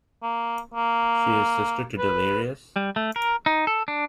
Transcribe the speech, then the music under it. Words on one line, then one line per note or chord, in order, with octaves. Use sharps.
She is sister to Delirious?
A#3
A#3
B4
G3
A3
A#4
D#4
A4
D4